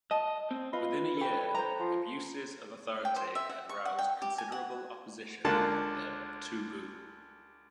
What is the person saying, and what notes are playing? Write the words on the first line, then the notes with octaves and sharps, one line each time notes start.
Within a year, abuses of authority had roused considerable opposition among the Toubou.
D#5 A5
C4
F4 B4 D#5
A4 G5
C5 A#5
F3
G5
C5
E5
F#5
C#6
F#5
G5
G4
G#5
F#5
C#2 D3 A#3 A5